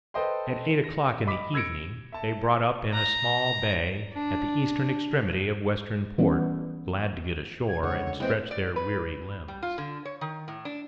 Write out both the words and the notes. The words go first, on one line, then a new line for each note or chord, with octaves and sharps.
At eight o'clock in the evening they brought up in a small bay at the eastern extremity of Western Port, glad to get ashore and stretch their weary limbs.
A4 B4 C5 D#5 G5 C6
A#6
D#5 B5 D6 B6
E6 G#6 A#6 C#7 D7
E5 A5
A#5
D4
E3 G3 B3 C#4
G#6
C#2 D3 G#3 C#5 F#5
E3 G#3 C4 B4 G5
D5
B4
G3
F4
D3
C#5
D#3
A2
D4